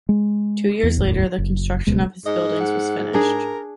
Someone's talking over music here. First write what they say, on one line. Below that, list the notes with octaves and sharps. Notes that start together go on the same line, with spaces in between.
Two years later, the construction of his buildings was finished.
G#3
E2
D1 G1 E2 A2
F#1
D1 C#2 B2 G#3
G#2 D#5
F#5
D4 G#4 A#4